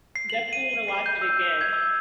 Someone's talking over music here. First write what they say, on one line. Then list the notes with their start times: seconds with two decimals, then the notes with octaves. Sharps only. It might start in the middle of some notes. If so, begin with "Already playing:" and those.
defintietly wanna watch it again.
0.16 C7
0.30 F#7
0.53 D#7
0.88 C7
1.06 G6
1.21 E6
1.61 G#6
1.73 E6